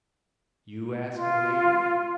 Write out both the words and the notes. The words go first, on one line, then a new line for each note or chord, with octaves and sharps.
"You?" asked Milady.
F4